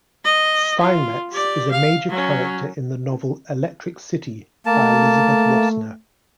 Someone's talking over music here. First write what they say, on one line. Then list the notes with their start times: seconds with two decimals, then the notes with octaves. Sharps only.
Steinmetz is a major character in the novel "Electric City" by Elizabeth Rosner.
0.24 D#5
0.80 F4
1.31 G4 D5
1.71 F5
2.09 F#3 C#4
4.66 A3 A#3 A5